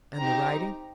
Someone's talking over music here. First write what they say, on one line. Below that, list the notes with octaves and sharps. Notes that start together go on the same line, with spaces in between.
"And the writing?"
C4 D#4 G4 A#5